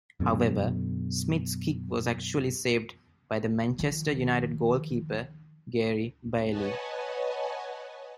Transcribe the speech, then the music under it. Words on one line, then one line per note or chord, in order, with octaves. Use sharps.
However, Smith's kick was actually saved by the Manchester United goalkeeper, Gary Bailey.
F#2 B2 D3
D#3 F3
B4 C#5 D#5 F#5 G#5 A5